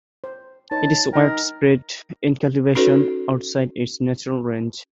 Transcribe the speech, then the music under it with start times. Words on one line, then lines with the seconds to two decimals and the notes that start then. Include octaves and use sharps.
It is widespread in cultivation outside its natural range.
0.24 C5
0.71 D#4 B4 C#5 A5
1.13 D#4 A#4 G5
2.75 C#4 D#4 F#4 A4 B4 C#5